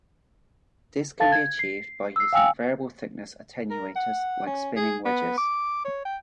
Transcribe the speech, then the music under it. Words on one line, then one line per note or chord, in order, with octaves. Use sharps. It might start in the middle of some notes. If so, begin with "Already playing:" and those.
This can be achieved by using variable thickness attenuators like spinning wedges.
A4 F5 A5 A6
G#6
C7
E6 C7
F5 G5 G#5 E6 C#7
A#4
F#5
C#4
G#4
B3
D6
C#5
G5